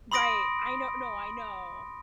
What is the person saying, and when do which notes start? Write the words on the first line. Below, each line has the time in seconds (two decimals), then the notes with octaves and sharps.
Right. I know No, I know.
0.12 B5 C6 D#6 A#6 D7